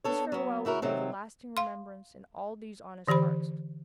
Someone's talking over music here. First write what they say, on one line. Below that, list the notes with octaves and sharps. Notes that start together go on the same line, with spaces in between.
This farewell would leave a lasting remembrance in all these honest hearts.
B3 D4 A4 C#5
F#3 B3
C#3 E4 F#4 A#4
C3 D#3 F#3 C4
F5 C6
D3 E3 G4 C5 B5